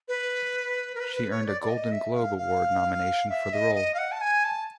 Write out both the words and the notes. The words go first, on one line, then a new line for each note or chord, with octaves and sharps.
She earned a Golden Globe Award nomination for the role.
B4
A#4
B4
B4
C#5
D5
D5
D#5
E5
F5
F5
E5
D#5
D#5
F5
F#5
A5
G#5
A5